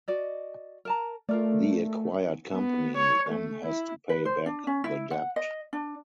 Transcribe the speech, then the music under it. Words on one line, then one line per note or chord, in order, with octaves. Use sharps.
The acquired company then has to pay back the debt.
F#4 D5 D#5
A#4 A5 A#5
A3 F4 A#4 D5
B3
C#5
A3
E4
B4
C5
D4
C#4
E4
F#5
D#5
D4